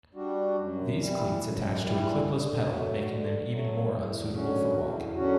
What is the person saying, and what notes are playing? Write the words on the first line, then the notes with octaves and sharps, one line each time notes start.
These cleats attach to a clipless pedal making them even more unsuitable for walking.
G3 D4 F#4
F#2
E3 G3
F#2
E3 G3
D3
F#3 A3
D3
F#3 A3
E2
D3 F#3 C#4 F#4
E2
D3 F#3 C#4 F#4